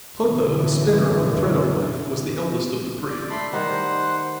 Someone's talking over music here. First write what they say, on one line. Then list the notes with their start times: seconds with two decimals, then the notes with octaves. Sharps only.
Clotho, the spinner of the thread of life, was the eldest of the three.
0.19 A1 F#2 B2 D3 E3
3.10 D5
3.30 A3 B5 C6
3.53 D#3 G3 D#4 C5 F#5